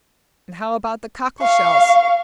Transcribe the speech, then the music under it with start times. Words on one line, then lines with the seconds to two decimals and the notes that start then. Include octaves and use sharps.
"And how about the cockle-shells?"
1.41 F5 C#6